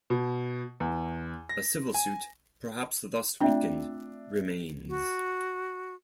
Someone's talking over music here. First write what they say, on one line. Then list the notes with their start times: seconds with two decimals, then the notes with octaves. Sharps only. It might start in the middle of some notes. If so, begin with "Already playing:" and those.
A civil suit, perhaps thus weakened, remains.
0.10 B2
0.80 E2
1.49 A#6
1.94 G#5
3.40 A3 C4 D4 F4 E5 G5
4.88 F#4